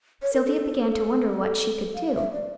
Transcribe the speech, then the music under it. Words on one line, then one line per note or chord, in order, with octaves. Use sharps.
Sylvia began to wonder what she could do.
C#5
A#4
A4
F5
E5
D5